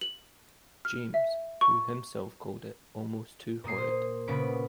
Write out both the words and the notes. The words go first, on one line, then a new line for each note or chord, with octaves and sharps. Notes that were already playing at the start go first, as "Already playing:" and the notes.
James, who himself called it "almost too horrid".
F#7
F6
E5
C#6
A#2 A#3 D#6 C7
C5
A#2 C#3 B3 C#4 B5 D7